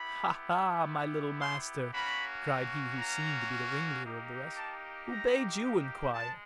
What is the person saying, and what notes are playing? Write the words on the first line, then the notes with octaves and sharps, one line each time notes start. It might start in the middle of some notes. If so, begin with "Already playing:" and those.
"Ha, ha! my little master," cried he who seemed to be the ringleader of the rest, "who bade you inquire?"
Already playing: B3 E4 G4 B5
C6
A#3 C#4 F#4 B5
A#5
A#3 D#4 G4
A5
A#5
G#3 A5